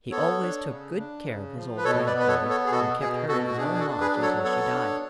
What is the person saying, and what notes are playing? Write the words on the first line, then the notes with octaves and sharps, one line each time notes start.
He always took good care of his old grandmother, and kept her in his own lodge until she died.
B3 A4 C#5
D4
C#3
D4
C#3
F3
B4
B2 A4 C#5
B4 D5
B3
B4
A4 C#5
B3
A4 C#5
G#4
B2 F#4 A4
B2 G#4
B2 F#4 A4
F#4
D4 G#4
G#4
F#4 A4
D4
G#4 B4
F#3
A4 C#5
B3 A4 C#5
D4